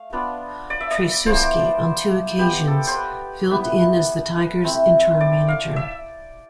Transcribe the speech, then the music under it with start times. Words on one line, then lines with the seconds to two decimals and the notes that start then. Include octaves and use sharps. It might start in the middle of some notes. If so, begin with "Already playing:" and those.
Tracewski, on two occasions, filled in as the Tigers' interim manager.
Already playing: A3 F5
0.13 B3 D4 F4
0.70 D5
0.81 E5
0.91 D5
1.26 F3 B3 E4 C5
2.39 B3 F4 G4
2.67 A4
2.87 C5
2.94 B4
3.51 B3 E4 B4
4.64 A3 C4 E4
5.20 D5
5.48 F5
5.76 E5